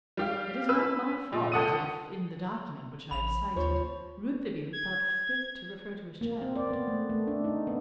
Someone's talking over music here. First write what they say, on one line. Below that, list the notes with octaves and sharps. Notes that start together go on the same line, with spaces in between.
It is not my fault if, in the document which I have cited, Rouletabille thought fit to refer to his childhood.
G3 G4 F5
B4 E6
A#2
C#2 A4 F#5 D#6 D#7
A1 B5 F7
D#2 F3 C5 C#5
G#6
A#3
C4
D5
B3
A3
A3
D4
D#4
B3